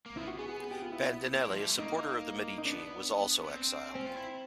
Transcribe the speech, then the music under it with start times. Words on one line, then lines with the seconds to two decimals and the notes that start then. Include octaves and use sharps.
Bandinelli, a supporter of the Medici, was also exiled.
0.06 A#3
0.17 B3 E4
0.27 F#4
0.39 B3 G#4
0.49 G#4
0.60 G#4
0.71 G4
0.82 F4
0.92 E4
1.35 A#3
1.47 F3
1.57 G3
1.68 A3
1.78 A#3 D#4
2.58 D#4
2.65 B3 D4
3.45 B3
3.51 C4
3.95 C4 C#4
4.06 F4
4.17 E4